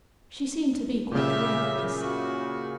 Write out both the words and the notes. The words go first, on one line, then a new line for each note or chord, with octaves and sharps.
She seemed to be quite ready for this.
A#2 C#3 G4 E5
F#4